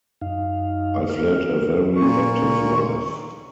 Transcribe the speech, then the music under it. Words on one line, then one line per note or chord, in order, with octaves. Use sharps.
I've led a very active life.
F#2 D#4 F5
A#4 F6
A#2 C#6